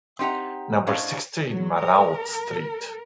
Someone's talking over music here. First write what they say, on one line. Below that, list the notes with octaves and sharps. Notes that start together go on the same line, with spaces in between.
Number sixteen, Marrault street.
C4 D#4 G4 F#5 A#5
A2 C#4 D4 C5 D#5 F5
F#3
A#4